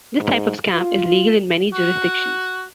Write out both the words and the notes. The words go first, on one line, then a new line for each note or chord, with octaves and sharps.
This type of scam is legal in many jurisdictions.
G#2
F4
F#4